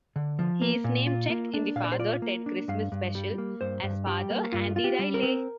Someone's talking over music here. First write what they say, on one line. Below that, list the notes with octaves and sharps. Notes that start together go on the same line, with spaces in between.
He is namechecked in the "Father Ted Christmas Special" as 'Father Andy Riley'.
D3
F3
A#3
A#2
F4
A#3
D4
A#2 F5
D5
C5
F4 D5
A#3
D4
G2 F5
G2
G3
A#3
G2 C5
G2
G3 G4
A#3
G2 F4
F4
G4
G3
A#4
C4